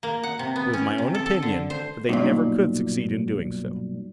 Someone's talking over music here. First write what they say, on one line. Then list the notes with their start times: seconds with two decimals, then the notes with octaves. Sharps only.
It was my own opinion that they never could succeed in doing so.
0.03 A#3
0.23 F#5
0.39 C3
0.56 B3
0.73 C#4
0.98 C3
1.15 A4
1.26 A4
1.43 D3
1.70 C5
2.09 B1 G2 A#2